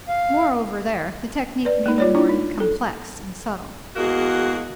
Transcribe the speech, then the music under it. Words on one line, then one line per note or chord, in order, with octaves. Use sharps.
Moreover there the technique may be more complex and subtle.
F5
B4 D5
A#3 D#4
F4 C#5 D5
D4 E4 F4
D#4
A4
E2 G#3 A#3 F#4